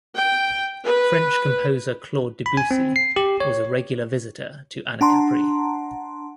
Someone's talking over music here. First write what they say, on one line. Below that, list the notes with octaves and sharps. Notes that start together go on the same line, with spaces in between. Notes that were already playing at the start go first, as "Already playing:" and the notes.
French composer Claude Debussy was a regular visitor to Anacapri.
G5
B4
B5
G#5
C4
C7
G4
C#5
D4 F#5 A5 A#5 C6